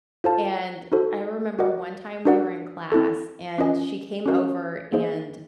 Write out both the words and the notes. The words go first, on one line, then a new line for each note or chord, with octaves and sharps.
And I remember one time we were in class, and she came over and
F4 A4 C5 F5 A5
D#4 F#4 A4 C5
F#4 A#4 D#5 F#5
D4 F#4 A#4 D5 F#5
C4 E4 A4
C#4 F4 A#4 D#5 G#5
C#4 F#4 A#4 D#5
A#3 D#4 G#4 C5 D#5